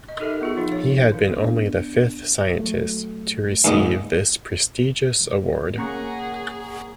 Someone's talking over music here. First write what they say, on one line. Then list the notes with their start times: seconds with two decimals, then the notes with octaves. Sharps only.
He had been only the fifth scientist to receive this prestigious award.
0.08 D#5
0.20 D#4 G4 A4 A#4 D#5 E5
0.41 B3 F4 G#4
0.57 F3 D#4 F5
0.72 C#5
1.12 D#3 F5
1.37 B3 D4
2.59 F#3 A3
3.64 D#2 G#2 B3 D#5
5.78 A#3 C#4 G#4 F#5 A#5 C#6